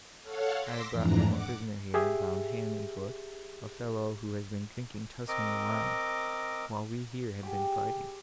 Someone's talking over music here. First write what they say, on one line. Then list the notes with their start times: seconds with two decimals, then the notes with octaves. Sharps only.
I have brought home a prisoner here, bound hand and foot--a fellow, who has been drinking Tuscany wine, while we here have been fighting.'
0.22 A4 C#5 F5 F#5
0.58 C6 D6 E6 A#6 B6
0.90 F2 G#2 E3 D4 A#5
1.26 F#5 D6
1.94 G4 G#4 E5
5.28 C4 A#4 D#5 D6
7.43 G4 G#4